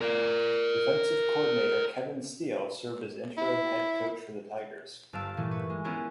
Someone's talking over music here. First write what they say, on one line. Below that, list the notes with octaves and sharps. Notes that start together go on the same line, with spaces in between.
Defensive coordinator Kevin Steele served as interim head coach for the Tigers.
A#4 D5
E4
G1 G2 F5 A5 E6 D7
A#2 E3 A3
B4 C#6
G#3
B3 C#4 E4 F4 G#4 A#4